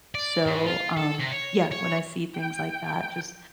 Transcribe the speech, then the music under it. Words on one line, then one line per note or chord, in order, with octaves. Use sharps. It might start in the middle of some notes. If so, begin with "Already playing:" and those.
So, um yeah, when I see things like that, just,
D5
G#2
F4
A4
C3
C#5
C#5
G5